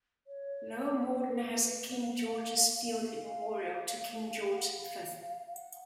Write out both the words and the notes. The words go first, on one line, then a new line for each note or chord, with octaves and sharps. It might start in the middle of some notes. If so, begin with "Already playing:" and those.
Lower Morden has a King George's Field in memorial to King George the Fifth.
C#5
B4
F#5
F5
F5
F#5
F5
F#5